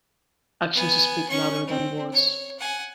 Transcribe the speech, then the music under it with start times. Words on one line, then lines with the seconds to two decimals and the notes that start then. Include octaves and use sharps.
Actions speak louder than words.
0.75 B3 G#5
1.28 C#4 C#6
1.68 C4
2.12 C#5
2.59 F#5 G#5